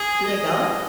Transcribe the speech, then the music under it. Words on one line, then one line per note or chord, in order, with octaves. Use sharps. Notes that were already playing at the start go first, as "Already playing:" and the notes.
Do they gallop?
Already playing: G#4
D#5